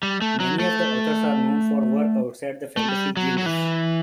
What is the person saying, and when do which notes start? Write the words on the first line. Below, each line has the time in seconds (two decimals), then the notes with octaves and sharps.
Many of the authors are known for work outside the fantasy genres.
0.03 G3
0.21 A3
0.40 F#3
0.60 A3
2.77 A3
2.89 G3
3.17 F#3
3.38 F#3
3.46 E3